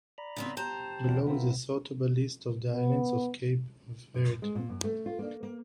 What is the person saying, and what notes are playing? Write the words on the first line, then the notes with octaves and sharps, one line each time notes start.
Below is a sortable list of the islands of Cape Verde.
D5 A#5 B5
C#3 B3 C4
G4 C5 A5 A#5
E2 C4
B3 C4 E4 F4 A#4
B3
F#2
G#3
A#2
F#2
A3
F4
A#3
A#3